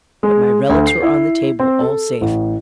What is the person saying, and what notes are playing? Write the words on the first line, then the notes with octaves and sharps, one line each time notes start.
But my relics were on the table, all safe.
G#3
D2
C7
E4
C4
A4
A1